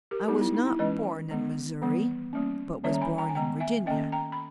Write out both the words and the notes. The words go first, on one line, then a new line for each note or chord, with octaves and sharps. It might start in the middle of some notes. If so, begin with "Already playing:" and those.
I was not born in Missouri but was born in Virginia.
G4 A#4
G3 B3 D#4 G4
E4
D#4
E4
E3 G#3 C#4 B4 D#5
D#3 G#3 B3
E3 G3 B3
G3 A#3 C#4
D#3 G3 A#3 C#4 C#5 E5
A#5
G#5 B5
G5 A#5
G#5
D#3 G#3 B3 G5 A#5
E5 G#5
D#3 A#3 C#4 D#5 G5
G5 A#5
B5